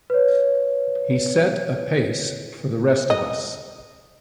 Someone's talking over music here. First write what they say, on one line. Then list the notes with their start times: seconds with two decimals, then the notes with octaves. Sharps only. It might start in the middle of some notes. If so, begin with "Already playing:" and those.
He set a pace for the rest of us.
0.10 B4 C#5
3.10 D#5